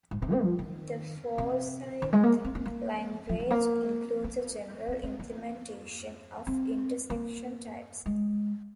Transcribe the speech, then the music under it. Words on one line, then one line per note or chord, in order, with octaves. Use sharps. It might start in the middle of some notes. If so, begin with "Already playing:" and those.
The Forsythe language includes a general implementation of intersection types.
G#2
C3
C4
F3
D#3
C3
D#3
G#3
A#3
C4
C4
A#3
F3
F3
A#3
A#3
C4
C4
A#3
C4
A#3
G#3